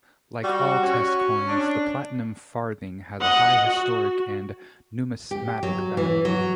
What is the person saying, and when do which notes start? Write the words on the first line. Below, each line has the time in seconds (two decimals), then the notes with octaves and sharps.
Like all test coins, the platinum farthing has a high historic and numismatic value.
0.44 G3 F#4
0.83 C#4
1.48 D4
3.21 D#5 F#5
3.67 F#4
5.31 G4
5.63 F#3
5.97 E3
6.25 F#3